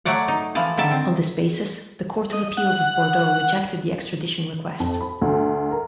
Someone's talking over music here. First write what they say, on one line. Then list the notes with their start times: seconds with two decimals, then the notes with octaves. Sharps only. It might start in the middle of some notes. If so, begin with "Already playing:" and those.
On this basis, the court of appeals of Bordeaux rejected the extradition request.
0.05 F#3 A3 D5 F#5
0.28 D#4
0.55 E3 F3 A5
0.78 D3 D#3 E5 A5
0.91 C4
2.33 D#5
2.57 F#5
4.80 F2
5.01 B5
5.21 D2
5.71 A#4